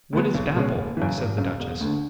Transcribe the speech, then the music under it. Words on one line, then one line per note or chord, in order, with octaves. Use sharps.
"What is Dapple?" said the duchess.
D2 D3 G#3 B3
B1
B2 G#3 C#4
F#1
F#2 C#3 E3
G#1
F#2 C#3
E1
D2 D3